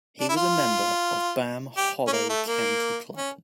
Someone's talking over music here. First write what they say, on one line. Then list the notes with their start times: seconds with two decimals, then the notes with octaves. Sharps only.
He was a member of Bamm Hollow Country Club.
0.21 D4
0.29 E4
0.36 F4
1.77 G4
2.07 C#4
2.13 A#3
2.29 A3
2.48 A#3
3.17 C#4